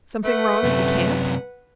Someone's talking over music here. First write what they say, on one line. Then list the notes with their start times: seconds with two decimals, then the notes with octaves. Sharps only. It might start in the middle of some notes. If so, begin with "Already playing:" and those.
"Something wrong at the camp?"
0.24 A3 B4 F#5
0.64 F#2 C3